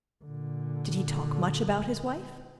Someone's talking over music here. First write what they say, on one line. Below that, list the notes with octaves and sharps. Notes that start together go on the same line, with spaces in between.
"Did he talk much about his wife?"
A#2 D3